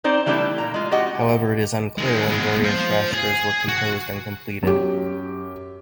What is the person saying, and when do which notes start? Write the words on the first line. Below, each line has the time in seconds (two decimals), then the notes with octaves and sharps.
However, it is unclear when various Shastras were composed and completed.
0.04 C4 D#4 C5 D5
0.26 E3 G3 A3 C4 D4 E4
0.58 A#2 A#5
0.74 G#3 F4
0.91 F#4 G4 D#5 F#5
1.98 D#3 G#3
2.29 G#3 B3
2.64 C5 F5
3.14 G#4
3.68 F#4
4.63 F#2 G4